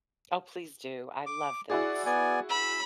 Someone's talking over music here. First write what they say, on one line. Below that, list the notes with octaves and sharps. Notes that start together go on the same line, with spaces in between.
Oh, please do, I love this.
D6
E4 F#4 G#4 D5
B3 D5 G#5
B5 E6